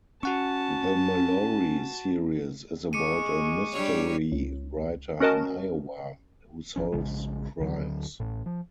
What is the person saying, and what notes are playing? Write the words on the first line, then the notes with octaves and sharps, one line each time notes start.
The Mallory series is about a mystery writer in Iowa who solves crimes.
C#4 F#4 F#5 A5 C#6
G#3 C#6 D6 C#7 D#7
G3 D4 C#5
C#2
C#4 F#4 A#4 D#5 A5
G1 G2 F3 C#4
A#1 C#3 G#3
D2 D3 F#3
A1 A2
F3